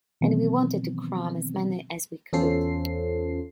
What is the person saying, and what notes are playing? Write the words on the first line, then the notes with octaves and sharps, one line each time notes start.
And we wanted to cram as many in as we could.
B2 D#3 E3 F#3 B3 C4
E2 C#4 F4 A4 C5 C7